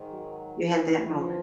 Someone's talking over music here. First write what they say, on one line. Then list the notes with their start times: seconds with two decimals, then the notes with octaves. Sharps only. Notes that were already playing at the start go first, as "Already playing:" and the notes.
You had that moment.
Already playing: G#2 D#3
0.11 F#3
0.61 E3
1.09 F2 C3 E3 F3